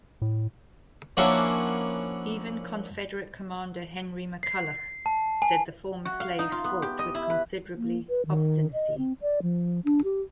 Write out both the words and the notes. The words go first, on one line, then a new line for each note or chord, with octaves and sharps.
Even Confederate commander Henry McCulloch said the former slaves fought with considerably obstinacy.
A2
F3 A#3 C#4 D4 E4 F#4
C7
A5
G#5
F#4
F5
D#4
F4
B3
G4
D#5
E4
B4
A#3
B4
D#3
D#5
C4
D5
F3
D4
G4